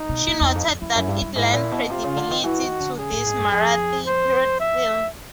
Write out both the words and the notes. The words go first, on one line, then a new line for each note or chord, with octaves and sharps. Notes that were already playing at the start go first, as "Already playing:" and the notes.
She noted that it lent credibility to this Marathi period film.
Already playing: D#4
B2
A#2
E2
F2
F2
F2 E4
F#2
G2
G2
G#2 E4
A#2
B2
C3 F4
C#3
D3
D#3
E3 F#4
D#3
D3
C#3 G#4
A2
G#2
G2
F2 G#4
C5
E5